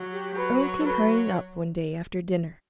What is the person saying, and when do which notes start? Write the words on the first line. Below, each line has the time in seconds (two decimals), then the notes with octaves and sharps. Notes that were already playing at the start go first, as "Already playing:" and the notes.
Earle came hurrying up one day after dinner.
Already playing: F#3
0.11 G4
0.36 F#3 B4
0.60 C#5
0.80 A4
0.85 F#3 B4
1.09 C#5